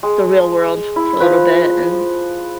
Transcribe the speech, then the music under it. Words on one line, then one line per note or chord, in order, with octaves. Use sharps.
The real world for a little bit and,
G#3
E4
F3 B4